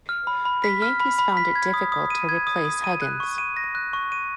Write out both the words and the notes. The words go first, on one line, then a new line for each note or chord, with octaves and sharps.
The Yankees found it difficult to replace Huggins.
F6
B5
B5
B6
F6
B5
B5
B6
G#6
D#6
D#6
D#7
G#6
D#6
D#6
D#7
F#6
C#6
D#7
A#6
F#6
C#6
D#7